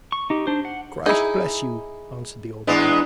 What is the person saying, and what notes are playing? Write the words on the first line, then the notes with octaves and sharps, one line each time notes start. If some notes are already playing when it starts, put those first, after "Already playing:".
'Christ bless you,' answered the old man.
C#6
D#4 G4
D4 C5
F#5
D#4 E4 G#4
E2 G#3 B3 D4 E4 D5 F#6